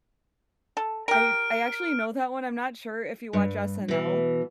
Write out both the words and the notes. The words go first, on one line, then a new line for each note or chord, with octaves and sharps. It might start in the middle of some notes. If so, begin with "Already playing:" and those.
I I actually know that one. I'm not sure if you watch SNL.
A4
G4 A#4 F6 D7
G2
B2 E3